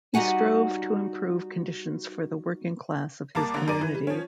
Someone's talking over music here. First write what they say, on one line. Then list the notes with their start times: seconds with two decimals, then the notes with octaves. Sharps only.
He strove to improve conditions for the working class of his community.
0.14 G3 D#4 F#4 F#5 G#5
3.35 C2 A#3 A#4 A5 D6
3.54 A1 D3 A#3
3.68 F#2 A#4 D5 D#7
3.81 E3
3.95 G3
4.07 F3 C#4